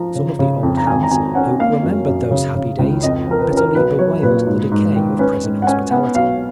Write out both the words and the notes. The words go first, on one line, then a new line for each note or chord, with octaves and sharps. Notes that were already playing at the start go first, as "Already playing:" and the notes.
Some of the old hands, who remembered those happy days, bitterly bewailed the decay of prison hospitality.
Already playing: F3 A#5
C#3
C#3
F2
A#5
G#1 G#5
A#5
G#1 G#5
C#4 F#5
A#3 F5
F#2
F#2
C#3
C#3
C#2
F2 D#5
F3 A#4
B4
C#4
A#4
B1 B4
F#3 C#5
A#2 B4
G#2
G#2
D#3
C#4 B4
G#2
F#5
C#4 G#5
B3 F#5
B1 F5